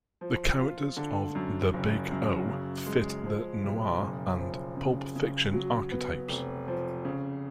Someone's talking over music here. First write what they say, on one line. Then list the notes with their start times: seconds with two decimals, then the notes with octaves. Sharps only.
The characters of "The Big O" fit the "noir" and pulp fiction archetypes.
0.21 F3
0.59 F4
0.97 D3
1.35 F#2
1.74 F#1
2.11 F#2
2.49 C#3
2.86 G#3
3.26 F3
3.64 B1
4.02 F#1
4.39 F3
4.76 C#3
5.16 C#3
5.53 F#3
5.91 B3
6.29 F1
6.68 F3
7.05 C#3